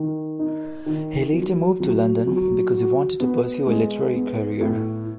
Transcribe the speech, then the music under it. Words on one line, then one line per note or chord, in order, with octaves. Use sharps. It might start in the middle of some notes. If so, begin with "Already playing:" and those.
He later moved to London because he wanted to pursue a literary career.
Already playing: D#3
D#4
D#3
F#3
F#3
F#3
F#4
B3
G#3
B3
A2